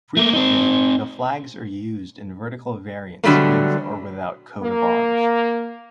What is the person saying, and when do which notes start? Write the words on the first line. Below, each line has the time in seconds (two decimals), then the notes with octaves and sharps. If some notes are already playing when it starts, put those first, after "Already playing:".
Frequently, the flags are used in vertical variants with or without coat of arms.
0.17 A3 A#3
0.33 C4 D#4
3.24 B2 D3 F#3 G3 A3 A#3
4.63 A#3